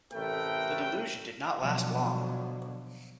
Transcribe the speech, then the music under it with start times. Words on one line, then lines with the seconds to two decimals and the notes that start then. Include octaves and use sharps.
The delusion did not last long.
0.13 A1 C3 A3 A#4 B4 G5
1.61 B2 D3 F3 F#3